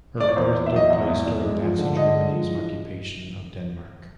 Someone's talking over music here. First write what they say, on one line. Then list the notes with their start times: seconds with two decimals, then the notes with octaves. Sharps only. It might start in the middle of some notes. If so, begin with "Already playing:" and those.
Her birth took place during Nazi Germany's Occupation of Denmark.
0.20 D5
0.29 C#5
0.36 E2 C5
0.55 E2
0.66 E5
0.73 F#3 D#5
0.90 E2 E5
1.07 E2
1.26 E2
1.43 G#3
1.60 F3
1.78 D3
1.96 D3 D#5
2.13 G#3
2.31 F3
2.49 E3